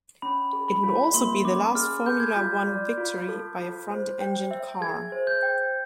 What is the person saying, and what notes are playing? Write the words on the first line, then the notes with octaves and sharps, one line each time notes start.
It would also be the last Formula One victory by a front-engined car.
C#4 B5
G#4
B5
F4
A#3 C6
C#4 D6
G#4 F6
A4 G6
G#6
F4 G6
D5
F4
A4
F4
C5
G5
E5
G#4 G#6
C5
G6
G5